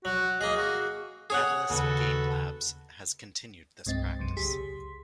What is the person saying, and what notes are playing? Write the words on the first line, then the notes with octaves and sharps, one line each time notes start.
Catalyst Game Labs has continued this practice.
F#3 F#4
A#3 G#4 D#5
F#4
G#4 C#5 F#5
D#2 C#3 F#4 A4 B4
C2 G2 G#3 C4 D#5 A6
B1 F#2 C3
C#2 G4 G#4 C6 B6